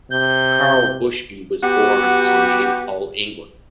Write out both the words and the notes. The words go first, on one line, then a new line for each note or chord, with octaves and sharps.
Karl Bushby was born on in Hull, England.
C3 G6
B3 F#4 G4